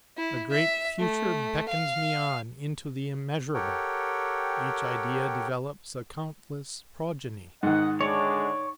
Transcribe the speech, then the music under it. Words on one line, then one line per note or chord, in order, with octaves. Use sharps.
A great future beckons me on into the immeasurable; each idea develops a countless progeny.
E4
E5
A3
F5
G4 A4 A#4 C#5 F#5 G5
G#2 D#3 D#5 F#5
D3 G#3 D4 C#5 D5